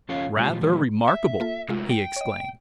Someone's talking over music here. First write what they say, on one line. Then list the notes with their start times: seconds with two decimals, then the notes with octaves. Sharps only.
"Rather remarkable!" he exclaimed.
0.09 E2 C#4 F4 A4 C#5 F5
0.36 B2 G#3 F4 G4 C5
0.49 A#2 E3 F3
0.61 A#2 D#3 E3 F#3 G3
1.09 E5
1.40 A#3 F4 A4
1.69 F#2 A2 C3 G#3 F4
1.90 G5
2.16 C#5 D#5